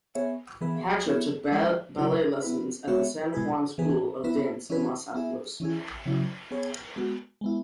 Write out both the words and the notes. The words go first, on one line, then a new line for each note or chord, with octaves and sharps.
Hatcher took ballet lessons at the San Juan School of Dance in Los Altos.
B3 G#4 C#5 E5
E3 B3 G#4 B4 E5
B3 E4 C#5 E5
E3 G#3 C#4 G#4 E5
C#3 F#3 E4 C#5
B3 E4 B4
G#3 B3 F#4 C#5 E5
B2 G#3 E4 G#4 B4
E3 B3 G#4 B4
B3 E4 B4 E5
E3 C#4 E4 G#4 B4
B3 E4 G#4 E5
E3 C#4 E4 G#4
C#3 F#3 C#4 E4
B3 G#4 C#5
G#3 B3 F#4
G#3 B3 E4